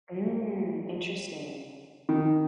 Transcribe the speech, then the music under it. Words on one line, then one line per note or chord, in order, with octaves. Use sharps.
Mm, interesting.
D#3